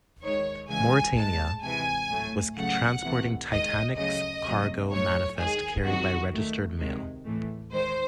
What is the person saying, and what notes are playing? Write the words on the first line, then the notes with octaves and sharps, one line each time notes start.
"Mauretania" was transporting "Titanic"s cargo manifest carried by registered mail.
D#3 G#3 C#5
C#3 E3 G#3 G#5
A2 G#3 A5
C3 E3 G#3 G#5
A2 F#3 A3
C#3 F#3 A3 F#5
C3 E3 A3
D#3 G#3 D#5
C#3 F#3 A3 D#5
C3 F#3 A3
A2 F#3 A3 C#5
D#3 G#3 G#4
C3 D#3 F#3 F#4
D#3 A3
C3 D#3 G#3
A2 E3 A3
D#3 G#3 C5